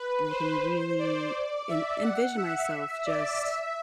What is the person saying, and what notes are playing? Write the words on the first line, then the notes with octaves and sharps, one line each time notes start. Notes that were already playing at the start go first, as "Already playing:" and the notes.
and I can really en envision myself just
Already playing: B4
C5
D5
E5
F#5
E5
D5
E5